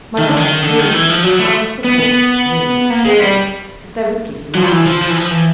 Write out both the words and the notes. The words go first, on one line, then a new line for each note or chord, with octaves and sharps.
My brother, hearing this, asked the porters, of whom there were several, if they would give him alms.
D#3
D3
D#3
D3
D#3
E3
F3
F#3
A3
B3
B3
A#3
G#3
G3
F#3
F3
E3
F3
F3
E3
F3
E3